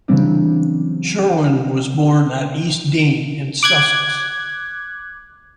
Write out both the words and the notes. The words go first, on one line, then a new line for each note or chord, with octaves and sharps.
Sherwin was born at East Dean in Sussex.
C#3 E3 F#3 G3 C4 D4
D6 F#6 G#6